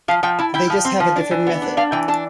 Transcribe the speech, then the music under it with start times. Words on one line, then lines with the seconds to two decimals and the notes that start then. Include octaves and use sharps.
They just have a different method.
0.08 F3 F5
0.23 F3 G5
0.39 E4 A5
0.54 E4 G5
0.70 F3
0.85 C4
1.00 F3
1.16 D4
1.31 E3
1.47 B3
1.62 D4
1.77 D4 F5
1.92 E3 G5
2.08 D4 A5